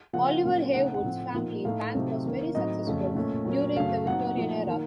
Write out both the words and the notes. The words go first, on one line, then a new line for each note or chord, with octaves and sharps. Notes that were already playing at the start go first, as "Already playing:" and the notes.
Oliver Heywood's family bank was very successful during the Victorian era.
C#3 F3 A#3 C#4 F#5
A#2 F#3 A#3 C#4
C#3 A3 C4 D#4 F#5
F#5
F#5
A2 F3 C4
A#2 F3 A#3 D#4
A2 A3 D#4 F5
C3 F#3 A3 C4 D#4
D#3 A#3 C#4
A2 F#3 C4 D#4 D#5
F2 C#3 A3 C#4
A#2 A3 C#4
A#2 F#3 A#3 C#4
F#2 C#3 F#3 A3 F5
A#2 F#3 C4 D#4 F#5
A#2 F3 A3 D#4
D#3 A#3 D#4